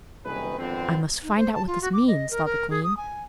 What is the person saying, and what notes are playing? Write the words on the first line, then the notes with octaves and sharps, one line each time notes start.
'I must find out what this means,' thought the queen.
F#1 C2 D#3 G#4 B4
G#1 F2 D3 B3 C4
D#4
C5
A5
F4
F#4
D6
D#5
A#4
A#4
G#4
D#6
G#5